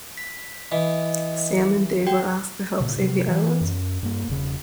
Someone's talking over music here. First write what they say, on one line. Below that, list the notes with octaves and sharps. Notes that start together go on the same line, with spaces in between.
Sam and Dave are asked to help save the island.
B6
E3 D#5
F#4 G5
A#2 C#3
C3 F#3
E3
F#2
G2 A#3
E1 C#3